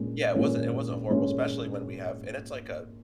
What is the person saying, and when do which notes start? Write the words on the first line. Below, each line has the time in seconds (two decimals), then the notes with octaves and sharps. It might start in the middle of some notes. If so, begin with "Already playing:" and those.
Yeah, it wasn't it wasn't horrible, especially when we have and it's like a
Already playing: A#2 G#3 C#4
0.35 A#2 G#3 C#4
1.10 A#2 G#3 C#4